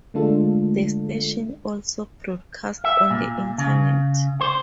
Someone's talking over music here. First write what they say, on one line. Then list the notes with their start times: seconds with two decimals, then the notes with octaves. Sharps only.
The station also broadcast on the Internet.
0.14 D3 G#3 A3 D4 F4 A4
2.84 E5
3.10 A#2
3.58 C#3
4.41 C5